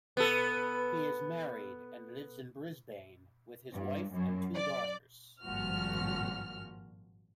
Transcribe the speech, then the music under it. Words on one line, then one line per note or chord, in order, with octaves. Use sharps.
He is married and lives in Brisbane with his wife and two daughters.
B3 A4
G2
F#2
D5
G#1 G2 A#2 F3 F#4 F6